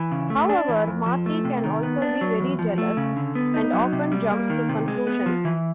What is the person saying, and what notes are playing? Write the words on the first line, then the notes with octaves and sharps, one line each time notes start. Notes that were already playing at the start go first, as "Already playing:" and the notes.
However, Marty can also be very jealous, and often jumps to conclusions.
Already playing: E3
C#3
A3
D4
E3
F2
F3
A3
C3
D#3
B3
D4
F#3
E2
F3
A3
C#3
D3
B3
D#4
F#3
C3
G3
A#3
D#3
C3
G#3
B3
F3
E3